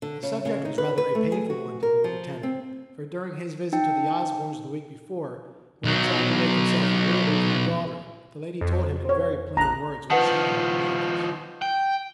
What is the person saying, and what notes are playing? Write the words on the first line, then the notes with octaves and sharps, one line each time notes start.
The subject was rather a painful one to the Lieutenant, for during his visit to the Osbornes the week before, when he tried to make himself agreeable to the daughter, the lady told him in very plain words what she thought of Yankees.
D3
C#3
C#3
D#4
B4
B4
A3
G#4
F#4
A#4
F3
C4
D#4 G5
B1 F#3
F2
C5 C#5
A#1 A5 A#5 F#6
D#3 F3 B4 F#5 A5
G5